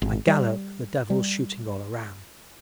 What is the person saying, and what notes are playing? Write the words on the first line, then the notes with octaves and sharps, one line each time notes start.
I gallop, the devils shooting all around.
G#1
G3
G3